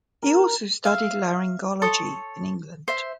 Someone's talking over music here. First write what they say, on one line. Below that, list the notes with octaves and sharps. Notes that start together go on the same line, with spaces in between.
He also studied laryngology in England.
A#4
E5 F5
A4 C#5 C6 D#6
C5 E5